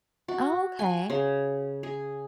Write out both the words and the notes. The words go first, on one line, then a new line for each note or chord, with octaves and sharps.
Oh, okay.
F#4
G#5
C#3
G#4